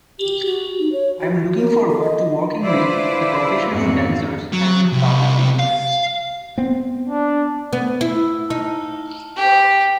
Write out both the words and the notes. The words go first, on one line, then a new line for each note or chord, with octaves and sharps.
I'm looking forward to working with the professional dancers and the other contestants.
G4
F#4
D#4
C#5
F#4
A#4
A4
D#5
D4 E4 F4 B4 C5 D5
F2 G#2 B2 A#3 C4 F#4
F#3
C2
F5
B3 C4
D4
B3
E4
D#4
G4